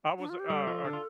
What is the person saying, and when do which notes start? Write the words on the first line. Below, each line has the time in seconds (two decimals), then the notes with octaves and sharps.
I was, a, uh uh
0.19 D4
0.30 F4
0.39 G4
0.50 G3 G4 A4
0.67 F3 F4
0.84 D3 D4
0.93 F4